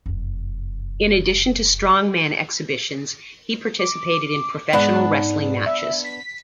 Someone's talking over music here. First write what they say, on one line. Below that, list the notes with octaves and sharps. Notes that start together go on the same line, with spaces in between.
In addition to strongman exhibitions, he participated in professional wrestling matches.
F1 F#2
D6
G#2 B3 D4 F#5
E5
B6